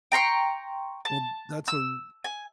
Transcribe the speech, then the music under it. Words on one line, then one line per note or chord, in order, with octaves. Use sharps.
Well, that's a r
G5 A#5 C6 C#6
A5
E6
G#5